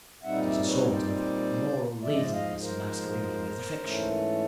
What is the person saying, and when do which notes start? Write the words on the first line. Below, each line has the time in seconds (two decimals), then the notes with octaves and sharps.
It is a sort of moral laziness masquerading as affection....
0.23 A#2 G3 C4 D#4 E5 F#5
0.45 D5 E5
0.68 B4 C#5
0.90 C5 D5
1.12 C5 D5
2.02 G#2 F3 G#3 D5 E5
2.15 D#5
2.23 E5
2.32 D#5 F5
2.62 A#4 C5
3.82 G#2 E3 A3 C#4